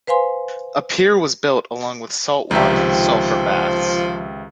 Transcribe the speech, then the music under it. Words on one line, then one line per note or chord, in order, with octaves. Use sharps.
A pier was built, along with salt water and sulphur baths.
B4 C5 F5 G#5 C6
C#2 C3 D#3 F3 G4 E5